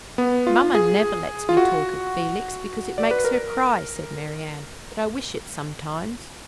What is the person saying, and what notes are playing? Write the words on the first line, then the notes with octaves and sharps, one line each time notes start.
'Mamma never lets me talk of Felix, because it makes her cry,' said Marianne; but I wish it sometimes.'
B3
F4
G#4
F4
F#4
D5
B4
A#4